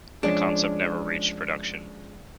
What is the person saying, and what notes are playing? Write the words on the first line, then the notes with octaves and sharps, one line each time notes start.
The concept never reached production.
F3 G#3 C#4 D4